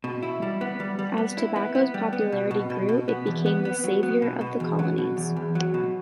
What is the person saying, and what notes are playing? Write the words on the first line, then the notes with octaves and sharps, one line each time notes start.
As tobacco's popularity grew, it became the savior of the colonies.
B2
E4
G3
B3
G3
G3
B3
E4
B3
B3
G3
B3
B2
B2
B2
B2
B3
E2
B3
B3
F#3
B3
B2
B2
E2
F#3
B2
E2
E2
F#3
B2